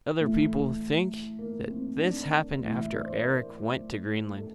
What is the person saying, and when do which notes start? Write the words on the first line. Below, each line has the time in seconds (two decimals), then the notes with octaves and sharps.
Other people think that this happened after Eric went to Greenland.
0.20 A2 E3 A3
1.39 A#3
1.70 C4
1.99 D4
2.59 A2 E3
2.78 E5
2.92 D5
3.05 C5
3.18 A#4
4.38 A4